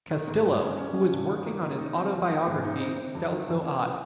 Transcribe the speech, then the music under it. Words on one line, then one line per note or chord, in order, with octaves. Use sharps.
Castillo, who was working on his autobiography Celso Ad.
D#3
G#2
G2
C#4
C#4
C#4
G2
D#3
A#3
D#3
D#4
C4
F3
D#4
G#2
D#4
C4
C4
F2
D#3
F2
C#4